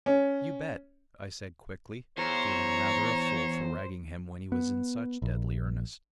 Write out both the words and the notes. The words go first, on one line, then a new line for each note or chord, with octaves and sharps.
"You bet!" I said quickly, feeling rather a fool for ragging him when he was in such deadly earnest.
C#4
E2 C5 C#5 A#5
B3
A#1